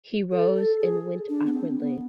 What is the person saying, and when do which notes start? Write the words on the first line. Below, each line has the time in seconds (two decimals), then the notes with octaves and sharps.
He rose and went awkwardly.
0.31 A4
0.55 A4
0.80 G#4
1.29 D4
1.46 B3
1.53 C4
1.78 B3